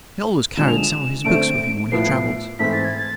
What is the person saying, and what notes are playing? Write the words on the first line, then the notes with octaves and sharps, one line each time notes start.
He always carried some of his books with him when he traveled.
D3 F3 G#3 E7
F7
E7
D3 A3 C4 D7
A2 F3 B3 C7
G#2 E3 A3 C4 E4 B6
A6
G#6
A6